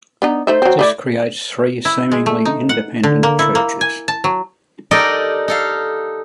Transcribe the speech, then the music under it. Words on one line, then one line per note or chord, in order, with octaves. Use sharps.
This creates three seemingly independent churches.
B3 D4 D#4
A3 D#4 C5 E5
F#3 C4
A3 D#4 E4 D5
E4
G#3
A3
D#4
F#5
D3
A#3
E4
A#3
G#5
A5
F#3
D#4 G4 A4 A#4 D5 D#5
D#4 A4 F5